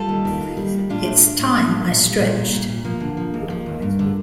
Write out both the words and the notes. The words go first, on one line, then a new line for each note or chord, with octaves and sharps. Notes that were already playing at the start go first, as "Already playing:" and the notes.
It's time I stretched.
Already playing: G3 F4 A4
D#2
D#3
D#2
G3
D#2
A2 D4 F4
A3
A3
A2
A3
A2
A#2
G3
A#2
G3
A#2
A#2
F3 A#3
D3
F3
D#2
F3
D#2
G2
D3